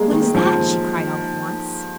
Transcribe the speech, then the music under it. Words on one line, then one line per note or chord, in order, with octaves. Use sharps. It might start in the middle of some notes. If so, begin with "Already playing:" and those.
"What is that?" she cried, all at once.
Already playing: G3 G#3 A#3
D#3
F3